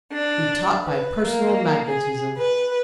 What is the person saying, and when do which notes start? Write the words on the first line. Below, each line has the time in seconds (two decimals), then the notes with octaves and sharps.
He taught by personal magnetism.
0.12 D4
0.85 B4
1.25 A#3
1.89 G#4
2.37 B4